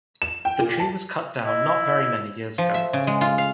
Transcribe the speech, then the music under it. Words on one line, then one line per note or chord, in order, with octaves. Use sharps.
The tree was cut down not very many years ago.
E7
G5
A#2
A5
E4 D#5
F3
E5
C#3
G#3
F4
F5